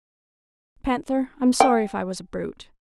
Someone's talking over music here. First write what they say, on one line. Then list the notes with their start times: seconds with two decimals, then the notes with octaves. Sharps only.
'Panther, I'm sorry if I was a brute.'
1.60 G5